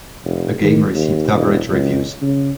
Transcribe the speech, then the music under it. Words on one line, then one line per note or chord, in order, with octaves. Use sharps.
The game received average reviews.
F1
D#3
D#2
E1
C#2
C#3